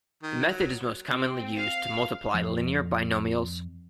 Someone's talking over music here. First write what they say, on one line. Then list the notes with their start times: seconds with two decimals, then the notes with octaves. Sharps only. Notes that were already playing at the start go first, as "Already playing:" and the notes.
The method is most commonly used to multiply linear binomials.
0.23 D#3
0.48 F#3
1.08 C4
1.56 F5
2.34 F2